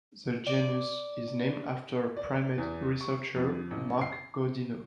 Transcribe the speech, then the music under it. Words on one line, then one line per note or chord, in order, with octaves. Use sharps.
The genus is named after primate researcher Marc Godinot.
D5
D5
E2
C#6
F2
A1
C7